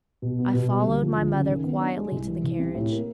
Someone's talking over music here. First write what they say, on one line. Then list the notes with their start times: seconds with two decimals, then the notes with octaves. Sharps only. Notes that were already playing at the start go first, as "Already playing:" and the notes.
I followed my mother quietly to the carriage.
0.22 B2
0.39 B3
0.54 B2
0.69 G3
0.85 D2
1.01 F3
1.17 D2
1.33 C#3
1.49 D#3
1.65 B3
1.80 D4
1.97 G#3
2.12 C2
2.28 E3
2.44 C2
2.59 C3
2.75 A2
2.92 A#3